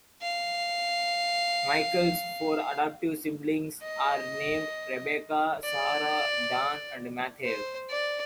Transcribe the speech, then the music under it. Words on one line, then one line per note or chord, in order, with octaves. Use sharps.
Michael's four adoptive siblings are named Rebecca, Sara, Dan, and Matthew.
F5
D#5
D5
C5
D5